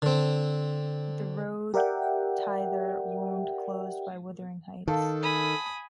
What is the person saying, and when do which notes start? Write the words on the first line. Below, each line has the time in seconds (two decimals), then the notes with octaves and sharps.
The road thither wound close by Wuthering Heights.
0.02 D3 C4
1.74 G4 A#4 D5 E5 F#5 G5
4.88 D#3 A4 F5 A5
5.21 G#5 B5 D#6